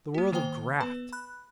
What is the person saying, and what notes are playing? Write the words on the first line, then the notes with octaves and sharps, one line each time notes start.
The world of graft!
A#3 F#4
D#3 A#3 C5 G5 G7
B3 B4
B5 F#6